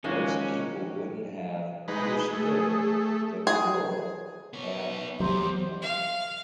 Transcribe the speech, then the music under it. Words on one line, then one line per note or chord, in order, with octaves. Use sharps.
Most people wouldn't have understood the Coral at that point.
D#3 F3 G#3 A#3 C#4 F#4 C5
G#3 D#4 G#4 B4
A3
G#4
B3 C#5
E2 G2 F#3 G4 C5
F5